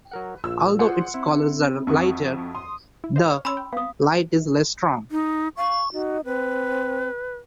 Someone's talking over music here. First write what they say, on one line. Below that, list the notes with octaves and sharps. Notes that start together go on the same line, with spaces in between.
Although its colors are lighter, the light is less strong.
F#3 A#4 F#5
A#1 F4 E6
G#4 C5 D5 F#5 C6
C4 E4
F2 E4 F#4 C#6 D#6
C6 D#6
E4
C5 D#5 F5
C#5 D#5 F6
C#4 C#5 B5 C6 E6
G5
B3 C4 F5 D#6
D#4
F5 C#6
D#4 F#4
C4 B4